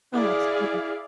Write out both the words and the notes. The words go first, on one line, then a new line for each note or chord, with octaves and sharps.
Oh, absolutely.
E4 G#4 D5 F5